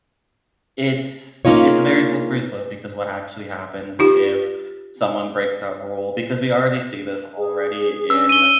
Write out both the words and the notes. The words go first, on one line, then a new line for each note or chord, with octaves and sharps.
It's it's a very slippery slope, because what actually happens if someone breaks that rule because we already see this already in
A#3 C#4 D#4 F4 C#5
D#4 F4 G4
G#4
C#4 E6
D#7 G7